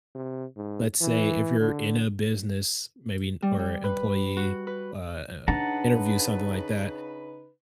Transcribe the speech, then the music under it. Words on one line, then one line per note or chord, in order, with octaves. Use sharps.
let's say, if you're in a business, maybe in or employee, ah, uh, interview, something like that,
C3
G#2
E3
D3
G3
G3
B4
F#4
B4
C#3 D4 D#4 B4 F#5 A5 A#5